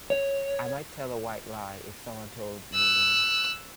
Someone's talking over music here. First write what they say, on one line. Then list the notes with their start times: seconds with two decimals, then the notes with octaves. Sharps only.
I might tell a white lie if someone told me
0.10 C#5
2.74 E6 F#6